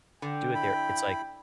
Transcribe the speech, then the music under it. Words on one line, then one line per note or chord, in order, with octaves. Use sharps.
do it there, it's like,
D3 G5
E4 B5